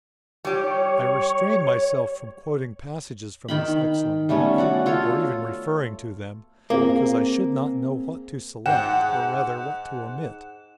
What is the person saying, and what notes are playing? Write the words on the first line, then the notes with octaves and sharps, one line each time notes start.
I restrain myself from quoting passages from this excellent work, or even referring to them, because I should not know what to select, or rather, what to omit.
G3 G4 C#5
D#3 G5 B5
G3 A3 B3 C#4
F#4 D5 F#5
F4 A4 C#5
A#3 C4 G#4
G#2 F#5 G5 E7